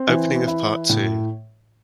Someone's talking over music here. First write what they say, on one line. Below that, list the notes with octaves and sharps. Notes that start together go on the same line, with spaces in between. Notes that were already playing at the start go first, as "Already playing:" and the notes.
Opening of Part Two.
Already playing: C4
E3
E4
A2